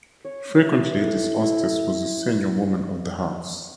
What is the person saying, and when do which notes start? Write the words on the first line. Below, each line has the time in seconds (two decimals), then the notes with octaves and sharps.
Frequently, this hostess was the senior woman of the house.
0.25 C#5
0.63 E4
1.01 A4
1.39 E4